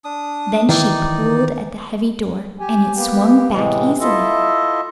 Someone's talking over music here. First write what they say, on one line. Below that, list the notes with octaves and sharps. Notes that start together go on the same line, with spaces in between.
Then she pulled at the heavy door, and it swung back easily.
D4 D#6
D#3 E3 D#4 D5
G4 G#5
A#3 B3 G4
A2 C3 E3 G#3
E4 F4 A4 D#5 E5